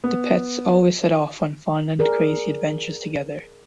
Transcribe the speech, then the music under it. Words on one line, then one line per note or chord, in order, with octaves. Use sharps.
The pets always set off on fun and crazy adventures together.
B3
G#4 A#4 D5